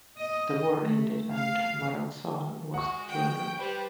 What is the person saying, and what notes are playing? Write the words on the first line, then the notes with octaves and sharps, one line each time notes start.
The war ended and Maranzano was the winner.
D#5
A3
F5
G#3 F#4 F#5 C#6
G5
G3 B4 C5